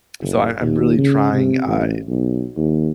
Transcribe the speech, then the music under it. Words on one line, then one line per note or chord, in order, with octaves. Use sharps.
so, I I'm really trying, uh,
F#1
D#2
C#3
C3
A1
B1
D#2